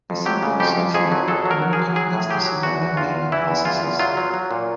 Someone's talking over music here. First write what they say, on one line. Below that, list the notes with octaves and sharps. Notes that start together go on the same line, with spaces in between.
The simpler the software, the more complex the surrounding manual processes.
F2
F#3 G4
C#3
F2 G4
F2
F2 G#4
F#3
F#3 A4
F#3
A#4
F#3
G#4
F#3
F#3 G#4
A2
F#3 G4
F#3
E2 F#4
E2
E2 F4
E2
E3 E4
E2
E2 F4
E2
F#3 F4
F#3
F#3
A#2